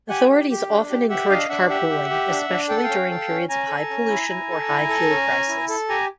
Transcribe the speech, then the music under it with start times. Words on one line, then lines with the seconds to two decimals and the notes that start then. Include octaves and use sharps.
Authorities often encourage carpooling, especially during periods of high pollution or high fuel prices.
0.09 G4 F#5 G#5
0.29 G4
0.50 G4
0.70 D4
0.90 G4
1.09 G4 E5 F#5
1.29 D4 D#5 F5
1.49 D4 E5 F#5
1.69 G4 E5 F#5
1.89 G4
2.10 G4
2.29 D4
2.49 D4
2.69 A4 G5
2.77 F#5
2.83 F5 G5
2.89 C#4
3.10 A4
3.29 C#4
3.49 C#4 G#5 A#5
3.69 A4
3.90 C#4
4.09 E4
4.29 E4
4.50 A4
4.69 E4
4.89 A4
5.10 C#4
5.30 C#4
5.49 E4
5.69 A4
5.89 G4 G#5 A#5